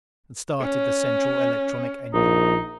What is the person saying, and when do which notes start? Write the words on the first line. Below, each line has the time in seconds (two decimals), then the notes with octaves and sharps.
And started the central electronic engine.
0.61 C#4
2.13 A#1 D#4